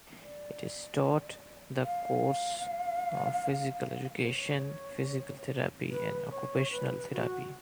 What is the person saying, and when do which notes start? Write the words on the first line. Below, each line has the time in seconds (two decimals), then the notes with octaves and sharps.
It is taught the course of physical education, physical therapy and occupational therapy.
0.21 D5
1.84 F5
4.19 B4
4.27 C#5
5.90 B4
6.31 C#5
6.71 B4
7.12 F#4